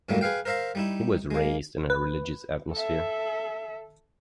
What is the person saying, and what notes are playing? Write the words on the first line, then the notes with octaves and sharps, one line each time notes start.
He was raised in a religious atmosphere.
F#2 A2 D3 G3 A3 A#3
G#4 B4 F5 G5
A#4 C5 E5 F5 A#5
G3 D#4 E4
G#3 A#3
B4
A4 E5